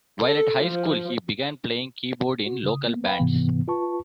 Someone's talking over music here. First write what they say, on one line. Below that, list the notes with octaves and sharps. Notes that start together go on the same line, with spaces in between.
While at high school he began playing keyboard in local bands.
A4
F3
F#4
C#3 D#6
A#3 B3
B4 F5 G5 G#5 B5
G#2 C3 E3 B3
F4 B4 A5 C#6